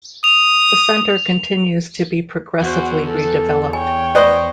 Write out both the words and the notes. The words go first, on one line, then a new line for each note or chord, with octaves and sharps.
The centre continues to be progressively redeveloped.
D#6 F7
E2 F#4 C5
A4
C#5 G5 G#5
B4 C5 D5 D#5 C#6